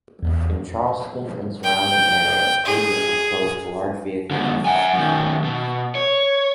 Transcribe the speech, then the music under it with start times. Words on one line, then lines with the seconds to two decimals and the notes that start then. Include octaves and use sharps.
In Charleston and surrounding areas, bridges were closed to large vehicles and trucks.
0.23 E2
1.64 G5
2.65 G#4
4.31 F#2 D3
4.65 F#5 G#5
4.94 F#2 D#3
5.44 B2
5.95 C#5